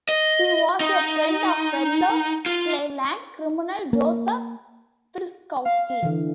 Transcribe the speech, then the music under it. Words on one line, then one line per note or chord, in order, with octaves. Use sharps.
He was a friend of fellow Cleveland criminal Joseph Filkowski.
D#5
D#4
F4
A#3
F5
D3 E3